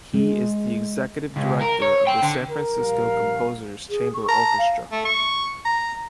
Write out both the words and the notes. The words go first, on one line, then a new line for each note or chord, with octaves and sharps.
He is the Executive Director of the San Francisco Composers Chamber Orchestra.
G#3
C#2
A#4
C#5
G5 C6
D3
A#4
A#1 G3 F5
G#4
C#6
A5 A#5
F5
A3
C#6
A#5